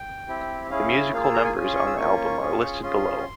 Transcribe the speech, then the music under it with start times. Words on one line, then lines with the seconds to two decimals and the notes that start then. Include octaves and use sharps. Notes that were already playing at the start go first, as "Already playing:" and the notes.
The musical numbers on the album are listed below.
Already playing: G5
0.28 C4 E4 G4
0.70 C#4 E4 G#4 F5
1.12 A#3 F4 G#4 F5
1.23 E6
1.34 A#5
1.44 G#5
1.55 C#4 F4 G#4 G#5
1.66 C6
1.76 C#6
1.87 E6
1.97 A#3 C#4 F4 C#6
2.40 C#4 F4 G#4
2.82 C#4 F4 G#4 C6